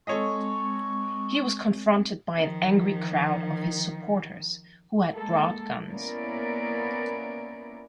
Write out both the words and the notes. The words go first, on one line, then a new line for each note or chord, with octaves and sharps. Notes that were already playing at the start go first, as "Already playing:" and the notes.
He was confronted by an angry crowd of his supporters, who had brought guns.
G#3 C4 A4 C#5 D#5 C#6
D#3 F3
G#3 A#3 A4
A#3 B3 C#4 E4 A#4 D5